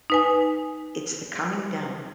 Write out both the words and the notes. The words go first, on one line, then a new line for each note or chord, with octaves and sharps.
It's the coming down.
D#4 B4 G#5